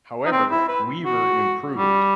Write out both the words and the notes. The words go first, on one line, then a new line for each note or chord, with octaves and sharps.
However, Weaver improved.
D#4
C4
E4
B4
F#4
G3